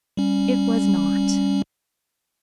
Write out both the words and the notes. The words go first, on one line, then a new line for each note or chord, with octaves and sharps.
'It was not.
G3 C#4